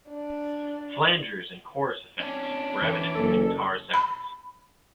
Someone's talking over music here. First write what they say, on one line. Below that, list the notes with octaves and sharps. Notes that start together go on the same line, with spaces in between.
Flangers and chorus effects were evident in the guitar sounds.
D4
C#4 D4
E3
F#1 A4
B5